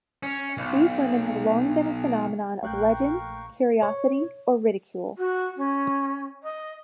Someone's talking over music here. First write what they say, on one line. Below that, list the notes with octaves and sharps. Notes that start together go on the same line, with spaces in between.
These women have long been a phenomenon of legend, curiosity, or ridicule.
C#4
B1
A#1 A3 A#4 F5 G5 C#6 F#6 G6
C#5
F#4
C#4
D#5